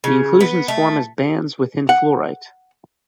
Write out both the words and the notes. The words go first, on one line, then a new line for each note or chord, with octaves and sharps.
The inclusions form as bands within fluorite.
C#3
B3
A3
F#5